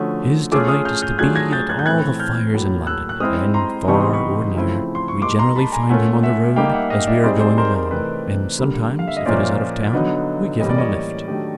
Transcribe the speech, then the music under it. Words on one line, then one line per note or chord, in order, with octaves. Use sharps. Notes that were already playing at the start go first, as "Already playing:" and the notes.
His delight is to be at all the fires in London; and, far or near, we generally find him on the road as we are going along, and sometimes, if it is out of town, we give him a lift.
Already playing: D3 F3 A3 C#4 F#4 D#6
A3 C#4 F4 G#4 D6 E6
D#6 F6
F6 G6
F6 G6
F#3 A3 D4 F4 G#4 F#6 G#6
G#6 A#6
G6 A6
F#6 G#6
G6
A2 E3 A3 C4 E4 F#6 G#6
F6 G6
A2 F#3 A#3
E6 F#6
F#6
G#3 C4 E4 D#6 F6
A#5 C6
C3 E3 G3 B3 D#4 C#6
C6
B5 C#6
C#3 F3 A3 C4 E4
C6
C#6
G3 A#3 D#4 C6 D6
A#5 C6
A5 B5
G#5 A#5
A3 C#4 F4 A#4 F#5 G#5
E5 F#5
G3 A#3 D#4 G4 F5 G5
G5
E5 F#5
D#5 F5
D5 E5
G3 C4 D#4 G#4 C5 D5
C5 D5
A#4 C5
A#4 C5
C3 E3 A3 C4 D#4 B4
D3 G3 A#3
F5
E5
D#5
A#2 F3 A#3 C#4 C5 D5
D3 F#3 B3 D#4
A2 E3 G3 A#3 C#4 D#5
D5
C#5 D#5
D#3 F#3 A3 D4 G4